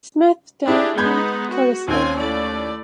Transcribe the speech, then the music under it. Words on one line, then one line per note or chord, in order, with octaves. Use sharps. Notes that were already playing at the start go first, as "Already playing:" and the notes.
Smith thanked him courteously.
D4 E4 G4 G#4
G#3 B3 D#4 B5 G6 G#6
F#4
D#2 C4 C#4 F4 G#5
A3 E4 D5